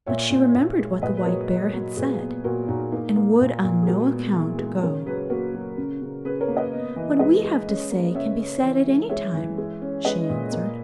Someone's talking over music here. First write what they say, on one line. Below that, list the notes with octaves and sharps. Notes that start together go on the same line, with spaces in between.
But she remembered what the White Bear had said, and would on no account go. "What we have to say can be said at any time," she answered.
A#2 C#5 E5
A#2
A#2
G#3
A#2 B4 D#5
B4
F#3 A#4 C#5
F#3
F#3
A#2 G#4 B4
B3
A#2 F#4 A#4
A#2 D#4 F#4
A#3 D#4
A#3
A#2
A#2
G#4
G#3 F#4 A#4
B3
E3
G#3
C#3 A#4 C#5
F#3 G#4 B4
A#3 F#4 A#4
F#3
C#3
C#3
C#3 G#4 B4
A#4 C#5
A#3
B4 D#5
B3
E3
G#3 B4 D#5
G#3
C#4
A#3
C#3 C#5 E5
C#4
E3
G#3
G#3 C#5 E5
E3
G#3
C#4
G#3 B4 D#5
A#2
A#3